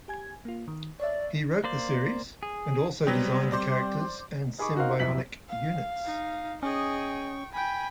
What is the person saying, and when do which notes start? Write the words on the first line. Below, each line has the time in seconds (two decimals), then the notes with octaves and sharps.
He wrote the series and also designed the characters and Sym-Bionic Units.
0.08 G4 G#5 G#6
0.45 A#3 F4
0.68 D#3
1.00 C#5 D5 E5
1.64 A#3 C5 D5
2.43 G#4
3.07 B2 F#3 G3 B3 C4
3.52 C5 D5
4.58 D#4 G#4 B5 C#6 D6
4.75 D#4 F#4 A#4 C5 F5
4.99 D#1 F2 F#3 E4 B6 F#7
5.49 F5
6.05 D#4
6.63 C#4 G#4 D#5 G5 C#6
7.53 G5 G#5 B5